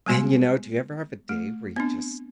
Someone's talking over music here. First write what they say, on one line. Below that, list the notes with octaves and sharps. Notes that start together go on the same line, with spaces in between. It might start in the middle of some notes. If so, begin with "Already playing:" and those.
And you know, do you ever have a day where you just
G3 G#3 B3 F#4 G#5 C6
A3
B3 C4 D4